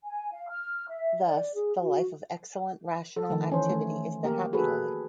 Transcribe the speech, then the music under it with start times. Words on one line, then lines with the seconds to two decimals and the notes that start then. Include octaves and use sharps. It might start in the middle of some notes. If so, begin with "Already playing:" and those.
Thus, the life of excellent rational activity is the happy life.
0.04 G#5
0.32 F5
0.49 F6
0.88 E5
1.23 D5
1.54 G#4
1.80 F#4
3.17 A4
3.29 D#3 F3 A3
3.49 E3 C#4 C5
3.69 A3
4.24 A#3 G4 A#4
4.53 F#4 G#4 A4 B4